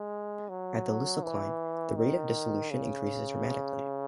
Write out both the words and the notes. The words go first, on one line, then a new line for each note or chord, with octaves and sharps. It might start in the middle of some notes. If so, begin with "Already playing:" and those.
At the lysocline, the rate of dissolution increases dramatically.
Already playing: G#3
F#3
E3
D#3
C#3